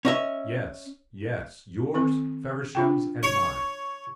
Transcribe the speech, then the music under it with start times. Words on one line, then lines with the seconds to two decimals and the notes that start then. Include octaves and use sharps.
Yes--yes, yours, Feversham's, and mine.
0.05 C#4 D#5 E5
1.94 D#3 C4 A4
2.75 D4 F4 G5
3.23 C#5